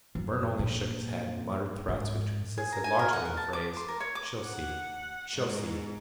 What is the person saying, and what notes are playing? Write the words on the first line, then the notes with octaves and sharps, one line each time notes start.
But Burne only shook his head and muttered threats which consisted largely of the phrase: "She'll see, she'll see!"
F#2
A#2
G#2
G#4
A#5
G#5
A#4
F#5
A#4
A5
D6
C6
A#4
C#5
D6
F#5
G#2